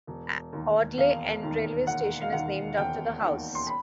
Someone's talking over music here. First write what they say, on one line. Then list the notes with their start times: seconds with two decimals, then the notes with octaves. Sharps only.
Audley End railway station is named after the house.
0.07 E1
0.53 D#2 D#3
0.98 E1 F5
1.43 D#2 D#3
1.87 E1 F#5
2.21 F5
2.32 D#2 D#3 F#5
2.77 E1 G5
3.22 D#2 D#3
3.55 C6
3.67 B5